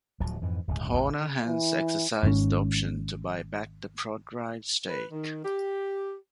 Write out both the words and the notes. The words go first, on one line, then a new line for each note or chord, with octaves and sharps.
Horner hence exercised the option to buy back the Prodrive stake.
D1 D2 F3 F#3
F2 G#2 E3
D1 C#2 G2 G#3
E1 A1 C3
D3
E3
G#1 G#2 D3 C#4
B4
D#3
G4